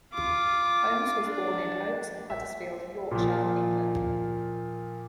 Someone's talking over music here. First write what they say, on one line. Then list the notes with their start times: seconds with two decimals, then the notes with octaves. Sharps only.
Holmes was born in Oakes, Huddersfield, Yorkshire, England.
0.13 F4 D6
1.22 D4
2.30 E5
3.11 A#2 F3